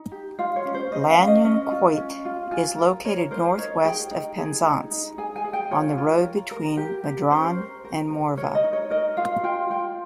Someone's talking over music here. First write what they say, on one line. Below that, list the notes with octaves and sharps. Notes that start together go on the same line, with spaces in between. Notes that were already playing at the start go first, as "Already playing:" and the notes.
Lanyon Quoit is located northwest of Penzance on the road between Madron and Morvah.
Already playing: D#4
G4
F4 F5
C#5
C#4
C5
C#4 D#5
F5
C#4
D#5
C#4 D#5
F4
C#4
F4
F4 G#5
A#4
A#4 C#5
A#4 C5
D#4 C#5
G#4 G5
D#4
G#4
D#4
D#4
G#4 G#5
G#5
G#4
G5
F4 C#5
F4
A#4
A#4
G4
G4
C#4 C5
A#4
A#4
A#4
A#4 C#5
D#5
D#4
C#5
A#4 D#5
F4 F5
F4 G5
F4 G5